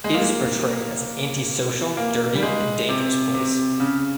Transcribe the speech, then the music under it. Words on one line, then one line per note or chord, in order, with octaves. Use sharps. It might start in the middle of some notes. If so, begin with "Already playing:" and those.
It is portrayed as an anti-social, dirty and dangerous place.
G#3
A#3
A#3
G3
G#3
C3
C3
C#3